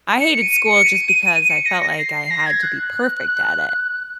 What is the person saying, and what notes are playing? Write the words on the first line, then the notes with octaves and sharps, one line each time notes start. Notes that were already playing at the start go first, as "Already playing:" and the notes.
I hated school just because I felt like I had to be perfect at it.
C#7
D#7
C#7
D#7
C#7
A#6
A#6
C7
C7
A#6
G#6
F#6